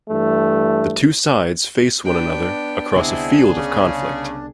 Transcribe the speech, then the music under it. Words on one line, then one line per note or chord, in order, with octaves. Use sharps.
The two sides face one another across a field of conflict.
G2 E3 A3
B3 D4 G5
C2 D3 B3 C4 D#4 E4 G#4
C#3